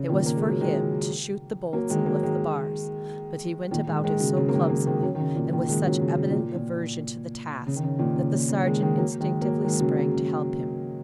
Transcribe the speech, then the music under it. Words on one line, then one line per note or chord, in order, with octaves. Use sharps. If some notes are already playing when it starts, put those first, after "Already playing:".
It was for him to shoot the bolts and lift the bars; but he went about it so clumsily and with such evident aversion to the task, that the sergeant instinctively sprang to help him.
Already playing: C#3
A#2 D#3
A#3
G#3
F#3
D#3 G#3
F#3 A#3
D#3 G#3
F#3 A#3
D#3 G#3
A#2 D#3
D#3 G#3
D#3 G#3
C#3 F#3
C#3 F#3
A#3
D#3 G#3
F#3 A#3
D#3 G#3
C#3 F#3
D#3
C#3
A#2
A#2 D#3
D#3 G#3
C#3 F#3
C#3
C#3
A#2
A#2
C#3
D#3
C#3
A#2 D#3
C#3
A#2
C#3
D#3 G#3
D#3 G#3
F#3 A#3
D#3 G#3
F#3 A#3
D#3 G#3
C#3 F#3
C#3
C#3